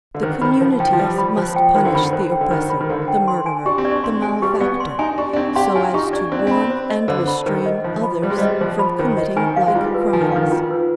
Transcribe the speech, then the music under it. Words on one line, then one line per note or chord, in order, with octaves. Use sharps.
The communities must punish the oppressor, the murderer, the malefactor, so as to warn and restrain others from committing like crimes.
D3
D#3 C5
D#3 B5
F3 C5
F3 G5
F3
G3 C5
B5
F3 C5
G5
D#3 C5
D3
D#3 B5
C5
G5
D3
D#3 C5
B5
D#3
D3 C5
G5
C6
G#5
D4 G4
C4
D5
D4
C4 C6
G#3 G#5
G3 G4
B3 D5
C6
D#4 G#5
D4 G4
D4
C4 D5
G4 C6
F4 G#5
D#4 G4
D4 D5
C4 C5
D4
C4 B5
C5
D#5
D3 C5
B5
D#3 C5
D#5
F3 C5
B5
G3 C5
G#3
G3
D#5
F3 C5
B5
D#3 C5
D#5
D#3 G#5
F5
G#3
G3 F4
B4
F3 G#5
D#3
D3
D#3 F5
F4
B4